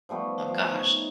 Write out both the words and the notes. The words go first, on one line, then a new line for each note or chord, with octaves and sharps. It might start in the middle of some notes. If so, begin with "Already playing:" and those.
Oh gosh.
F3 G3 A3 B3
F3
D#4 C#5